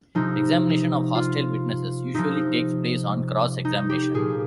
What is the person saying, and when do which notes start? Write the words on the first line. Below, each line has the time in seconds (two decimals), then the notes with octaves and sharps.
Examination of hostile witnesses usually takes place on cross-examination.
0.15 C3 F3 D#4
1.15 F4
2.14 C3 F3 D#4
3.65 D#4
3.90 G4
4.14 A#2 F3 G#4